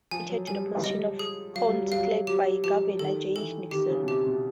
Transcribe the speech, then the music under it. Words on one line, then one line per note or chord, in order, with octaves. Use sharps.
Chris Flanagan was appointed to the position of County Clerk by Governor Jay Nixon.
F3 G#5
F#3
G3 G#5
G#3
G3 D#5
G#4
F#3 F5
G3
F#3
G3 F5
F#3
F#3 G4
F3 G4
D#3 A4
E3 A4
D#3 G4
C#3
B2
C3 G4
B2